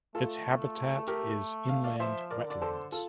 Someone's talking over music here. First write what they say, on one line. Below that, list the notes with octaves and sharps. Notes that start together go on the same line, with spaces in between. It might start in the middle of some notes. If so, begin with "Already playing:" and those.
Its habitat is inland wetlands.
A3 F4 A4
A4
G4 A#4
F5
D5 F5
F3 C5 E5
A#4 D5
D3 D5
A4 C5
F4 A4